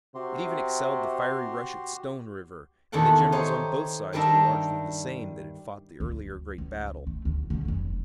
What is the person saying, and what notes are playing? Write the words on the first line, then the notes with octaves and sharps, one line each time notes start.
It even excelled the fiery rush at Stone River, and the generals on both sides were largely the same that had fought the earlier great battle.
C3 F#4 G4 C6
E2 C3 D#3 A4 F#5
D#4 G4 C5 C#5
G2 D#3 G3 D4 E5 A#5
D2
C#2
A3
D2
D3 A#3
F1 F#3